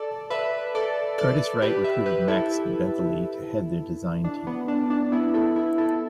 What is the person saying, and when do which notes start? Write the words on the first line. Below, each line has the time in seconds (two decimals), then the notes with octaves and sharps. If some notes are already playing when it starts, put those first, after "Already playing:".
Curtiss-Wright recruited Max Bentele to head their design team.
Already playing: A4 D5
0.30 B4 E5
0.75 A4 D5
1.18 A4 D5
1.62 G4 B4
1.84 B4 E5
2.06 G4 B4
2.28 E4 A4
4.24 D4
4.47 B3
4.68 D4
4.90 D4
5.12 B3 E4
5.34 E4 A4
5.56 B3 E4
5.78 E4 A4